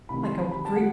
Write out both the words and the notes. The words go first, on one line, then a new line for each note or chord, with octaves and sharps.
Like a gr
C2 C3 D#3 B5
C6
B5
B5
A5
F#5